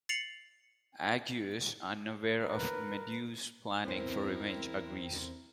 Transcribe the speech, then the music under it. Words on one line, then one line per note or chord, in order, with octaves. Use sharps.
Aegeus, unaware of Medea's plans for revenge, agrees.
A6 C7 C#7 F7 F#7
A#4 B4
E2 B3 C4 E4 A#4 C5